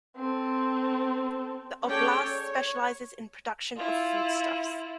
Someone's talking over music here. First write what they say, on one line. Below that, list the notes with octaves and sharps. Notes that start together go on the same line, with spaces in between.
The oblast specializes in production of foodstuffs.
C4 A4
C#4 G#4 A4 C#5 D5 G5
C#5
E4 F4